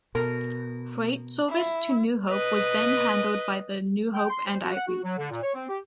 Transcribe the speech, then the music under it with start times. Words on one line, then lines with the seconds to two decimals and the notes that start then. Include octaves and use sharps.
Freight service to New Hope was then handled by the New Hope and Ivyland.
0.15 B2 A#4
1.49 E4
2.31 B4 D#5
4.14 G5
4.30 C6
4.45 C5
4.63 F#4
4.75 F#5
4.88 F#4
5.03 F#3
5.18 D3
5.31 A#2
5.43 C#5
5.54 C4
5.69 G4